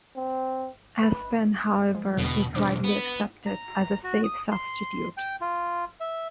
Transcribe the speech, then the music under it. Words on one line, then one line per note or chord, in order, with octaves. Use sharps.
Aspen however is widely accepted as a safe substitute.
C4
B4
F3 G#3
E2 B2 D3
B1 E2 D4 C5 D6
B3
A#5
F#4
D#6
C6
G5
F4
E5